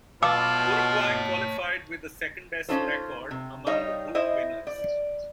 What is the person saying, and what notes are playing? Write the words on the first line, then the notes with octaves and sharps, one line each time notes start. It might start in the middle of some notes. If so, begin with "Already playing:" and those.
Uruguay qualified with the second-best record among the group winners.
B2 F4 C#5 F5 A5 D6 E6
C#4 D#4 F4 A4 C5
C3
G3 D#4 C#5 D#5 F5
E4 C5 D#5
D5